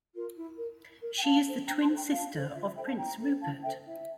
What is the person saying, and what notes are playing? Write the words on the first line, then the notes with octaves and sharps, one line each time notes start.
She is the twin sister of Prince Rupert.
F4 A#4
E4
A#4
E4
A#4
G5
D4 F5 A5
A4 C5
D4 G5 A#5
A5 C6
A4 C5
G5 A#5
F4 F5 A5
A4 C5
D5
F4 E5
E5
A4 C5 E5 G5
F5 A5
E4 G5 A#5
A4 C5
E4 F5 A5
A4 C5 E5 G5
E4 E5